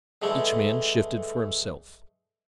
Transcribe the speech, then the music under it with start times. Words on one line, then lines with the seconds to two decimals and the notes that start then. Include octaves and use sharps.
Each man shifted for himself.
0.22 D3 E3 G#3 A3 E4